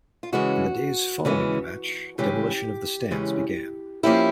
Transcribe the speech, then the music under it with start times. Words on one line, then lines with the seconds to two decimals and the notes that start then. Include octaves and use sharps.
In the days following the match, demolition of the stands began.
0.23 F4
0.32 C#3 E3 G#3 C#4 F#4
1.25 C#3 E3 G#3 C#4
2.18 C#3 E3 G#3 C#4 G4
3.11 C#3 E3 G#3 C#4
4.03 F3 A#3 C#4 E4 G4